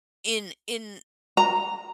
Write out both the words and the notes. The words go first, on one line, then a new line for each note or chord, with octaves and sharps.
in in
A#5